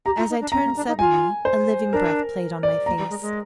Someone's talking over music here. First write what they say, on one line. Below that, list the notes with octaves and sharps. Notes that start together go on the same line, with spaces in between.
As I turned suddenly, a living breath played on my face.
G4 A#5
F4
D#4
D4
C4 A#5
A#3
D4
D#4
F4 G#5
C5
D4 A#4
D5
A#3 A#5
G3
G#3
G#3